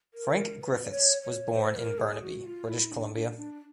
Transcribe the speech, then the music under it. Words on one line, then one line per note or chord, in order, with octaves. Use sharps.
Frank Griffiths was born in Burnaby, British Columbia.
A#4
B4
D5
C#5
C#5
C5
A#4
G#4
F#4
F4
E4
D4
D4
D4